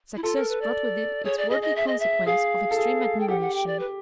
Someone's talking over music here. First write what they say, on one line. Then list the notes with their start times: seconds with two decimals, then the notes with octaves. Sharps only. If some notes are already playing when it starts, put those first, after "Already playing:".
Success brought with it its worldly consequence of extreme admiration.
0.16 E4
0.23 F4 A4
0.36 A#4
0.49 B4
0.61 D5
1.25 G#4 C#5
1.38 D5
1.50 G#4 D#5
1.62 D#5
1.76 E5
1.88 D#5
1.99 E5
2.26 G#4 F5
2.71 A4
2.78 G#4
3.20 G5
3.28 G4 F#5
3.41 F#5
3.54 G5
3.67 D5
3.79 B4